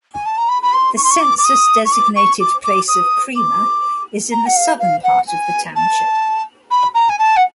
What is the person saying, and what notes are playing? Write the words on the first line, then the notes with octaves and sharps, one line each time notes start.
The census-designated place of Kreamer is in the southern part of the township.
G#5
A5
A#5
B5
B5
C6
C#6
C6
C#6
D6
D6
D#6
C#6
D6
C#6
D6
D6
D#6
D6
A#5
F#5
F5
F5
F#5
G#5
A5
B5
A#5
G#5
A5
F#5